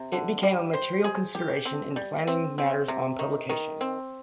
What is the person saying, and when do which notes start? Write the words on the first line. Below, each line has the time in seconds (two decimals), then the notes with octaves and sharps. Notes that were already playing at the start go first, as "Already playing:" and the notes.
It became a material consideration in planning matters on publication.
Already playing: C3
0.12 D3
0.43 G3
0.74 C5
1.04 G#4
1.35 G4
1.66 C4
1.96 G3
2.27 C4
2.58 C4
2.88 C3
3.19 D#3
3.49 D#3
3.81 C4